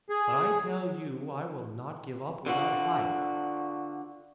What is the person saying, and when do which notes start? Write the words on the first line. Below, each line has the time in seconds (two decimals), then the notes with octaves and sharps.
But I tell you I will not give up without a fight.
0.10 G#4
2.46 D3 F4 F#4